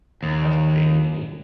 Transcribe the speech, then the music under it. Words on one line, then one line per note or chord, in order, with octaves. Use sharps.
That's pretty neat
D#2